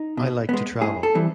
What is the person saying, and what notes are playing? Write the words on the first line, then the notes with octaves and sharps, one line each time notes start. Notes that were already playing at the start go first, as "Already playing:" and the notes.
I like to travel.
Already playing: D#4
B2
G#3 B3
A2 G#4
A4
E3 G3 C4